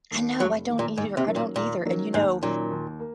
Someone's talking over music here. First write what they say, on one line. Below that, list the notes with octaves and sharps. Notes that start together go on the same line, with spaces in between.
I know, I don't either, I don't either and, you know,
D#2 D#3
F1 F#3
D#2 D#3
A#2
D#2 G#2
C3
D#3 F#3 A#3 C#4
A#2
D#2 A#2
D#3 F#3 A#3 C#4
D#2 G#2
A#2 D#3 F#3 A#3 C#4
D#2
A#3